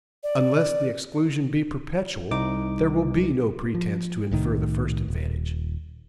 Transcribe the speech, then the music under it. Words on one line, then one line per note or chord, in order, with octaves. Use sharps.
Unless the exclusion be perpetual, there will be no pretense to infer the first advantage.
D5
C2 D#4 D6
F3
C2 A2 D#3
D#1